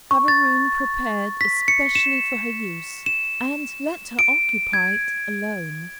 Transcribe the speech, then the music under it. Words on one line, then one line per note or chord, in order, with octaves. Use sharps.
Have a room prepared especially for her use, and let her occupy it alone.
C#6
A6
B6
C#7
E7
E7
D7
G#6